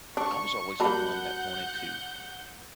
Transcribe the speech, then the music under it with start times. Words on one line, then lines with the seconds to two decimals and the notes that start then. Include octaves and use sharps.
I was always the one that wanted to
0.17 D4 C#6
0.80 G3 A#3 F#4 F#5 A5 B5 G6